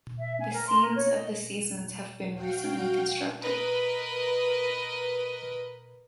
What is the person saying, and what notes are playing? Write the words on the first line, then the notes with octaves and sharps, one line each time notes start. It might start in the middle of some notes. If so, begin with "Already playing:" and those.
The scenes of the seasons have been recently constructed.
E5
G#5
A#4
C6
A#4
C#5
D#5
F#4 F5 G5
A#4 B4 D#5 B5